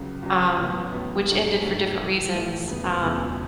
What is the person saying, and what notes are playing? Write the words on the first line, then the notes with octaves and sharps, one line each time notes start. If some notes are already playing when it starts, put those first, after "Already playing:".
um- which ended for different reasons- um
Already playing: C#2 C#3 F#3
C#2 C#3 F#3
A1 A2 F#3 B3
A1 A2 F#3 B3
G#2 F#3 A3 D4 F#4
G#2 F#3 A3 D4 F#4
A2 E3 A3
A2 E3 A3
E1 D2 C#3 G#3 B3
E1 D2 C#3 G#3 B3